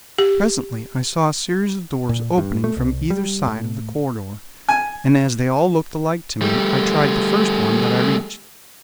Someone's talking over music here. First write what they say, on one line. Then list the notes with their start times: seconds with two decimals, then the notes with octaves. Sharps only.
Presently I saw a series of doors opening from either side of the corridor, and as they all looked alike to me I tried the first one that I reached.
0.19 G4
2.09 A#2
2.38 G2
2.64 A3
2.77 C2
3.10 G3
3.48 A2
4.69 G#5
6.42 G3 A3